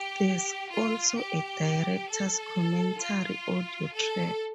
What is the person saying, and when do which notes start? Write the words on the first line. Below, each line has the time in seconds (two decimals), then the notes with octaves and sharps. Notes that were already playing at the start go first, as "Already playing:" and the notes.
There is also a director's commentary audio track.
Already playing: G4
0.69 F4
1.16 G4
2.08 A4
3.00 F4
3.92 A4